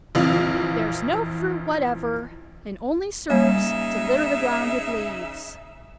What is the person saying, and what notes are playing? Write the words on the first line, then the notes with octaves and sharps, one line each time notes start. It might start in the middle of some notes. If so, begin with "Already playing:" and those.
"It bears no fruit whatever, and only serves to litter the ground with leaves."
A#1 F2 E3 F5
C#3 G3 A#3 D#4 E5